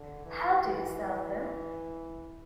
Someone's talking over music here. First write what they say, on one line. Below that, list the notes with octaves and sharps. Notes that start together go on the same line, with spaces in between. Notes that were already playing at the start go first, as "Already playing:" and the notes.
How do you sell them?
Already playing: D3
E3
E3